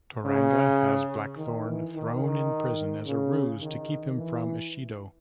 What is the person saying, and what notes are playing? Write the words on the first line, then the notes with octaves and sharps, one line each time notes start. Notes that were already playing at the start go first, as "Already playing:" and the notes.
Toranaga has Blackthorne thrown in prison as a ruse to keep him from Ishido.
C#3
D#3
E3
D#3
D#3
C#3
D#3
E3